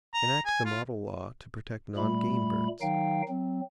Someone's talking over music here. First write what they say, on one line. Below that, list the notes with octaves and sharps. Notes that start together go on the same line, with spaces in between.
Enact the model law to protect non-game birds.
A#5
G#5
F4
A#2 G3 A3 B5
D#3 F#3 D#4 F5 G5
F#3 C4